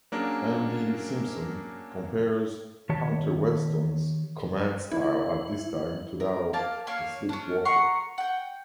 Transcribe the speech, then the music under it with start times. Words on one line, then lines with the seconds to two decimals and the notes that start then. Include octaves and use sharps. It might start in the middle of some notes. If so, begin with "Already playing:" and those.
Andy Simpson compares Hunter-Weston's command style at this time to that of "a sleepwalker".
0.12 F#3 A#3 C#4 D4 G#4 A#4
2.89 D#3 G4 C#5 A5
4.92 E4
6.20 A#4
6.53 A#3 F5 A5
6.87 A#3 C#5 F5
7.29 C#4 D4
7.65 F#5 A#5 C6 C#6
8.18 F#5 G5